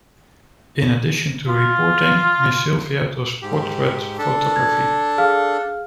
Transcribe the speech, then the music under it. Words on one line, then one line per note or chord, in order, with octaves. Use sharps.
In addition to reporting, Miss Silva does portrait photography.
F4
G#2 G4
D4 A4
G#6
G#4 F5 F6